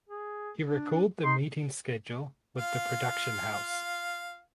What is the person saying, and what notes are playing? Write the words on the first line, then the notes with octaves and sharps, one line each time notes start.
He recalled the meeting schedule with the production house.
G#4
D4
D#4 C6
F4 F5